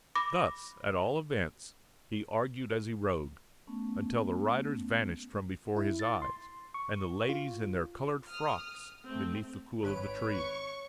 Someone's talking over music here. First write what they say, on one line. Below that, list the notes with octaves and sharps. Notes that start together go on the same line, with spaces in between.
Thus, at all events, he argued as he rode, until the riders vanished from before his eyes, and the ladies in their coloured frocks beneath the cool of the trees.
B5 D6 A#6
A3 B3 C#4
E4
A6
C6
C#6
F4
D#6 F6
A3 C4
G#1 B4 C#5 D7
C#6